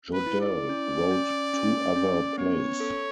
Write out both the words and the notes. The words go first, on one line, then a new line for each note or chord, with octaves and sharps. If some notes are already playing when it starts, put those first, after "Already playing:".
Jodelle wrote two other plays.
B4
E4
D5
C#4
C#4
C#4
C#4
B3 C#5
A4